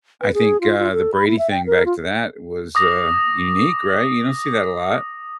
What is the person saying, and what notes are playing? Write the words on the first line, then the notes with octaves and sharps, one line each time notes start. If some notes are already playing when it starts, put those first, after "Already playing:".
I think, uh, the Brady thing, back to that, was, uh, unique, right? You don't see that a lot.
B4
G#4
F4
F4
A4
B5
E4
E5
G5
A#4
F4
D6 D#6 A#6